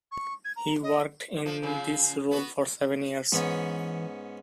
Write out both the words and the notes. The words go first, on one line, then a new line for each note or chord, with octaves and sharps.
He worked in this role for seven years.
C#6
G#6
A#5
D#5
F3
C#3 F3
B3 F#4
G#2 E3 B3 C#4